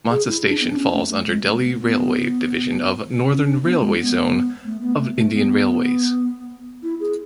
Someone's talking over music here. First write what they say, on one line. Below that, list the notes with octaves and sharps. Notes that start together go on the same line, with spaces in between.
Mansa station falls under Delhi railway division of Northern Railway zone of Indian Railways.
G#4
E4
D4
B3
D4
C#4
A3
A3
G#3
A3
B3
B3
C#4
D4
B3
G#3
B3
A3
B3
A3
A3
B3
E4
G#4